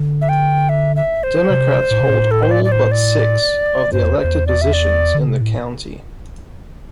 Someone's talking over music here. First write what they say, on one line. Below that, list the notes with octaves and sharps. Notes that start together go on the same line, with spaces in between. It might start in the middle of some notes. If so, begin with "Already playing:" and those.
Democrats hold all but six of the elected positions in the county.
Already playing: D3
E5
G5
E5
E5
C5
C3
A2
C3
A2
A4
C5
D5
D5
C5
D5
G2 C5
E2
A4
E2 C5
D5
E5
D5
D3
C3
A2